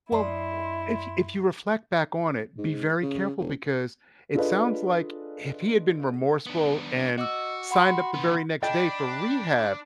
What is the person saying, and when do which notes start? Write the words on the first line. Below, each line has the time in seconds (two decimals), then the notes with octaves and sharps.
Well, w if if you reflect back on it, be very careful because it sounds like if he had been remorseful and signed up the very next day for rehab,
0.12 F#2 A3 D4 E4 D#5 C6
2.58 G#2
3.02 C#3
3.40 E1
4.35 D4 F4 G#4 A4 B4 D#5
6.46 B3 D4
7.18 F#4 D#5 D6 E6
7.71 F#5 B5 C6
8.14 D#3 B3
8.63 D4 D#5 G5 B5